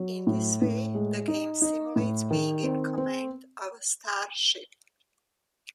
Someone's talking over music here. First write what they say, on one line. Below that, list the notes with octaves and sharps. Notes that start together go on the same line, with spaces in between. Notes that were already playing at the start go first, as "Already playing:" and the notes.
In this way, the game simulates being in command of a starship.
Already playing: F#3
A2
A2
G#3
D#4
D#4
A2
D#3
C4
C4